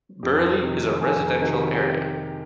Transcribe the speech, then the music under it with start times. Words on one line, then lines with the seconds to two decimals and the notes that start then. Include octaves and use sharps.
Burley is a residential area.
0.23 F2 G4
0.62 C3 D#3
1.01 F2 G#4
1.27 A#4
1.41 C3 D#3
1.53 G4
1.75 G4